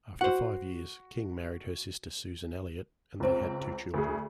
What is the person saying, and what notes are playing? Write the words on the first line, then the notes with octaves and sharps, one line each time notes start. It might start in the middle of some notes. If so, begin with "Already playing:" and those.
After five years, King married her sister Susan Eliot, and they had two children.
F#4 C5 F#5
C#2 C4
D2 G#4